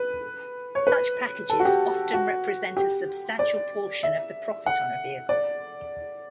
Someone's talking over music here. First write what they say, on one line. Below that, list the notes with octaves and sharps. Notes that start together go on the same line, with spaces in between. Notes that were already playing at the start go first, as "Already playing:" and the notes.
Such packages often represent a substantial portion of the profit on a vehicle.
Already playing: B4
C#5
B4
A4
F#4
G4
F#4
G4
D5
E5
F#5
D5